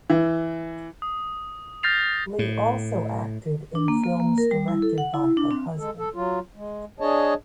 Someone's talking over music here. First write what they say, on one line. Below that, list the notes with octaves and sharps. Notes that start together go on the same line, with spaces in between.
Lee also acted in films directed by her husband.
E3
D#6
F6 G6 A6 A#6 C7 F7
A2
D4
A#3
A#3
A#3
A#4
G3
E4
A4
F#5
E4
D4
C4
G#3 A4
A4
F#3 F4
G#3
D4 G#4 C#5 D#5 A5